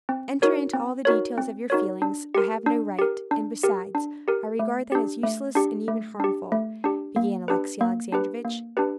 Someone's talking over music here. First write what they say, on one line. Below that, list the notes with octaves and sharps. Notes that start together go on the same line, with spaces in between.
"To enter into all the details of your feelings I have no right, and besides, I regard that as useless and even harmful," began Alexey Alexandrovitch.
C4
D#4 F#4 A#4 C#5
C4
D#4 F#4 A#4 C#5
C4
D#4 F#4 A#4 C#5
D4
G4 A#4
D4
G4 A#4
D4
G4 A#4
D4
G4 A#4
A3
D4 G4
A3
D4 G4
A3
D4 G4
A3
D4 G4
A#3
D4 G4 B4
A#3
D4 G4 B4
A#3
D4 G4 B4